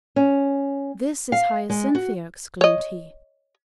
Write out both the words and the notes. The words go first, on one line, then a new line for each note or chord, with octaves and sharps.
"This is Hyacinthia!" exclaimed he.
C#4
F5
G#3
F#4
C#5 D#5